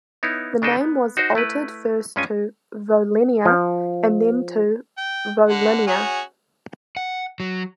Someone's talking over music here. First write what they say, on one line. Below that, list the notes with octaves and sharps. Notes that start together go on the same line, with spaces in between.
The name was altered first to "Volenia" and then to "Volinia".
B3 D#4 E4 B4 C#5
C#3 D4 D#4 A4 D#5 G5
B3
D#4 F#4 C5
A3 E4 B4
G2 G#3 C#4 F4 G#5
F3
G5
D3 F#5
C#4 F#4 G#4
F#5
F#3